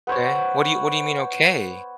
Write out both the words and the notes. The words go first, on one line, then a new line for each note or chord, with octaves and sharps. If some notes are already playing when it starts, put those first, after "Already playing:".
Okay, what do you what do you mean, okay?
B3 C5 C#5